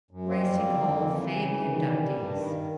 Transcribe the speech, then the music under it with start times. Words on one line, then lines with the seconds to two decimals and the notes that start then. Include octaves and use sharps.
Racing Hall of Fame inductees.
0.11 F#2
0.28 F2 A#3 C4
0.46 G3
0.63 F2
0.80 F2
0.97 E3
1.14 E3
1.32 C#3
1.49 E3
1.67 D#3
1.84 G3
2.01 G3
2.18 G2
2.36 D#3